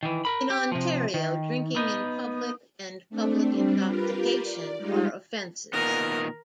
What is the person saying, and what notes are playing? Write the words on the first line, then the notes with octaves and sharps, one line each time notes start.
In Ontario, drinking in public and public intoxication are offenses.
D#3 E3
A#4 B5
G4
C3 F3
D#3
B3 D#4
A3 C4 D4
G3 C4 D4
F4 G4 A#4 B4
D5
G3 G#3 D#4 F4 G4
A#2 D#3 B3 A#4